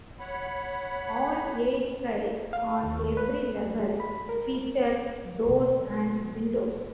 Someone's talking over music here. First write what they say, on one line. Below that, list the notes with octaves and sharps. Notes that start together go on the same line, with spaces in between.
All eight sides on every level feature doors and windows.
C#5 F#5 B5
F5
D#2
B4
A3
G#3
B5
A#4
B2 F#3